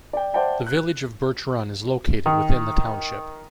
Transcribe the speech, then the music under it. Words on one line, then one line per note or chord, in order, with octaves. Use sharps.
The village of Birch Run is located within the township.
D5 G5
C5 D5 E5 F#5 G5 A5
F#6
D#3